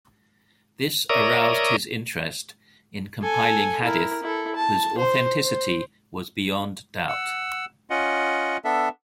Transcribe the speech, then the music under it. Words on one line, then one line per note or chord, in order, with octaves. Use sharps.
This aroused his interest in compiling hadith whose authenticity was beyond doubt.
A#4 C#5 D5 E5 A#5 D#6
A4 G#5
E4 A#4
E4 A4
A5
C5
C5
F#5 E6
C#4 F4 D#5 F#5
B3 D4 A4 E5